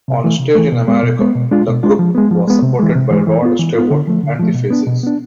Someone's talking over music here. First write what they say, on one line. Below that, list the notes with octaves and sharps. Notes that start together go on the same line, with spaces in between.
On stage in America, the group was supported by Rod Stewart and the Faces.
C3
E3 A3
C3
E3 A3
B2
G#3 B3
B2
G#3 B3
B2
G#3 D4 F4
B2
G#3 D4 F4
F3
G#3 B3
F3
G#3 B3
C3
E3 G#3
C3
E3 G#3
E3
B3 F4
E3
B3 F4
D3
F3 A3
D3
F3 A3
B2
B3 D4
B2
B3 D4